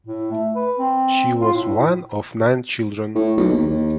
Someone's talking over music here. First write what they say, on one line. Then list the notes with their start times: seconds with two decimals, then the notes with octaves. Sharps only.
She was one of nine children.
0.06 A2
0.31 A3
0.55 B4
0.79 C4
1.41 F4
1.54 A2
3.15 A2
3.37 B1
3.50 D#2
3.69 D#2